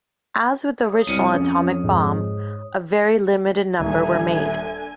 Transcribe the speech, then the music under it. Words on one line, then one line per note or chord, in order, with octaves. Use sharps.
As with the original atomic bomb, a very limited number were made.
C#5 D#6
C2 F6 C#7 D#7
F2 C#4
G#2
D#1 D3 E5 G#5